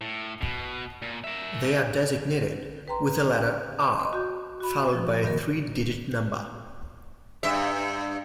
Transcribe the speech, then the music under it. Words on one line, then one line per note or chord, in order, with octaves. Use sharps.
They are designated with the letter "R" followed by a three-digit number.
A2
B2
A#2
A#4 E5
B4 G5 A#5 C6
D#5 C6
F#4 G6
F#4 B5
F3
G2 B2 D#3 A#3 A#4
G2 E5